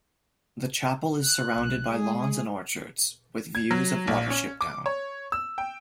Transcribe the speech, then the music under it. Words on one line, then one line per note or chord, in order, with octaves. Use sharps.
The chapel is surrounded by lawns and orchards, with views of Watership Down.
F#6
B1
G#3 G#4
G#6
F#3
A#1
C#4
D6
C#5
E6
G5